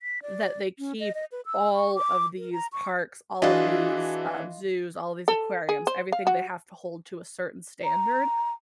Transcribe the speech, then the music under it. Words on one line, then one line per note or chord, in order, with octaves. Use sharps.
That they keep all of these parks, all of these, um, zoos, all of these aquariums, everything they have to hold to a certain standard,
B6
D5
C#4
D#5
D#5
B4
E6
C#6
D6
A#4
A#5
C#6
E3 D4 F4 F#4 G#4 D#5 E5
A4
G#4
C5
F5
F#4
A#5